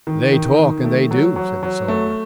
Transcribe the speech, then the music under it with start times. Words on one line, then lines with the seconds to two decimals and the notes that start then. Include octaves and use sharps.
"They talk--and they do," said the soldier.
0.07 D#3
0.32 D#3
0.59 D#3
0.84 A3
1.11 F#3
1.36 F#3
1.63 F#3
1.88 A3